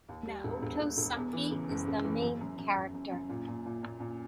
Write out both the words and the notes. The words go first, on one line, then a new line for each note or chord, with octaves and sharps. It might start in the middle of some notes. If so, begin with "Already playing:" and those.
Naoto Saki is the main character.
D#2
G3
E1
E1
E1
E1
E2
E3
C#3
F#1
C#3
E3
F#2
F#2
F#2
F#2
F#2
F#2
A#2
A#2
A#2
A#2
A#2